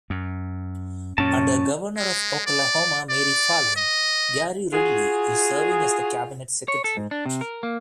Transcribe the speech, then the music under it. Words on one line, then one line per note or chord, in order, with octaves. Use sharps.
Under Governor of Oklahoma Mary Fallin, Gary Ridley is serving as the Cabinet Secretary.
F#2
F#2 A#2 C#4 A5
G#3
D5
D5
D#5
F4 F#4 G#4
C#5
A4
G#2
D4
C3
A#4
A#3